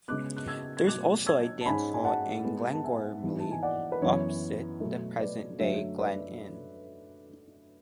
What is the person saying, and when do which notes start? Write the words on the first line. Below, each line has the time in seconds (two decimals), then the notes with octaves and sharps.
There is also a dance hall in Glengormley, opposite the present day Glen Inn.
0.08 C#3 G#3 B3 D6 F#6
0.37 F#6
0.48 E6 G#6
0.77 G#6
0.87 B2 F#3 A3 D6 F#6
1.26 E6 G#6
1.61 A5
1.66 G#2 G#3 C#4 G#5 B5
1.94 G#5
2.05 F#5 A5
2.45 G#2 G#3 B3
2.73 A5
2.84 E5 G#5
3.23 G#2 E3 B3
3.40 A5
3.51 G#5
3.63 D5 F#5
3.92 B4
4.02 F#2 E3 B3 C#5
4.80 B2 F#3 A3
5.20 B4 D5
5.59 F#2 D3 F#3 A3 C#4 C#5 E5
5.99 B4 D5